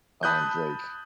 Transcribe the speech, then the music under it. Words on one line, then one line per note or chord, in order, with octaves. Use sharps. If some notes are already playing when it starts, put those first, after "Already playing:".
um, like
A5 B5 D#6 F#6 G6